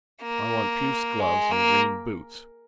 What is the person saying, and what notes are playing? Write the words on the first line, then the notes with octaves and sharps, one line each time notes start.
I want puce gloves and green boots.
A#3
G#3
A#3